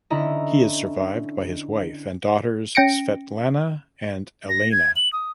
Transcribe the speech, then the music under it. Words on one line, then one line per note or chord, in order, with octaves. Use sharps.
He is survived by his wife and daughters Svetlana and Elena.
D3 C#4 E4 D#5 A#5
C#4 G5 A#6 C#7 D7
A#6
G#6
F#7
D#6